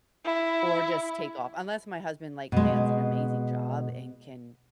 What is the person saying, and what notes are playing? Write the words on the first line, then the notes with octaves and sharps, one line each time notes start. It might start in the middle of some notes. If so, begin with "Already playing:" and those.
or just take off. Unless my husband, like, lands an amazing job and can
E4
B2 G#3